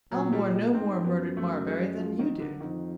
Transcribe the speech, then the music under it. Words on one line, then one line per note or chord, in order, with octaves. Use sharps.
"Aylmore no more murdered Marbury than you did!"
A#2 F#3
G3
G#3
G#2 C4
F#2 B3
A3
G#3
F3
D#3
D3
F2 D#3